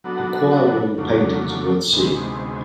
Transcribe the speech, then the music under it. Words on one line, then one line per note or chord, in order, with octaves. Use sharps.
The choir wall paintings are worth seeing.
F#3 B3 D4 F#4 A4
F2 C#3 F#3 A3 D4
D2 C3 D#3 G#3 B3